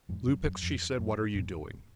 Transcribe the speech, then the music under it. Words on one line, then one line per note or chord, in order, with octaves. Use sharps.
"Lupex," she said, "what are you doing?"
F2 G#2
F#2
F#2
F2
F#2
F#2 A#2